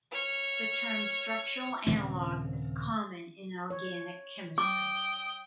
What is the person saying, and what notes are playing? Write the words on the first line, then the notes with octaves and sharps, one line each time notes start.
The term "structural analogue" is common in organic chemistry.
C#5 F6
D#1 C#3 C4
C#5
G5 D6 D#6